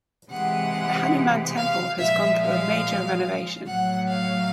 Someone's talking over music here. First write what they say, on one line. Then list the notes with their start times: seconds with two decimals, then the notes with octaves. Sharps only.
The Hanuman Temple has gone through a major renovation.
0.30 C3 E3 G#3 F#5
1.56 F5
1.98 A#2 F3 G#3 E5
2.40 F5
3.66 A2 F#3 F#5
4.08 F5